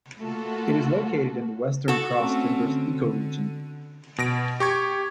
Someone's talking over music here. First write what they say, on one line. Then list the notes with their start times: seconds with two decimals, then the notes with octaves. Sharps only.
It is located in the Western Cross Timbers Ecoregion.
0.18 A3 A#3 F4 F#4 A4
1.88 F#4 A4
2.17 A3 C4 C#4
2.69 D3
4.18 B2 A#6 D7
4.60 G4 C#6 G#6